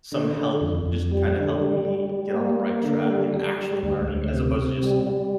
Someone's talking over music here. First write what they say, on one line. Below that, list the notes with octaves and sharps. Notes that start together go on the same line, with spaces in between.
some help, just kinda helping me get on the right track and actually learning as opposed to just
D3
D3
F2
F2
G3
D3
G3
G3
G3
A#3
A#3
D3
G3
G3
G3
D2
D2
C3
C3
G3
G3